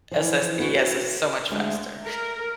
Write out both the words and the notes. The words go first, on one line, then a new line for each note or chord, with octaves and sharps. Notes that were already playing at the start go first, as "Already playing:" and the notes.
SSDs is so much faster.
E3 F3
B3 F#4
D2 G#3 D4
A#4